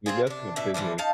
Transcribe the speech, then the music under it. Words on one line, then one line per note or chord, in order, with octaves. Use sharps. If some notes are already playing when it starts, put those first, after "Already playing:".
Yeah, that's, like, a business,
C4 D#4 F4 G#4
C3 D4
B2 D4 E5
E3 F3 G3 D4
D#4 F5 A5